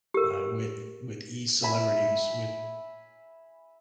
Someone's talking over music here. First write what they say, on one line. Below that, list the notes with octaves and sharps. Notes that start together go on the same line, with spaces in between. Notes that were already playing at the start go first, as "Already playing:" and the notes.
uh, with with e-celebrities, with
G4 A#4
E5 G#5 B5